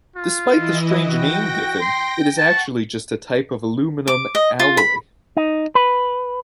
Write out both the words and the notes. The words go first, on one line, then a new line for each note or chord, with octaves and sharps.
Despite the strange name given, it is actually just a type of aluminium alloy.
F4
E3 E4 D#5
F#4 G5 A#6
C6
F#5 A5 C#6
D6
D#5
F4
B5
D#4
B4